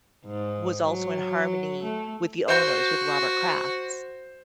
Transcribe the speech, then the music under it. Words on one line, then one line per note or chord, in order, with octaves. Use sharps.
was also in harmony with the owners, with Robert Kraft's,
G#2
F#3
A3
F#4 C5 G6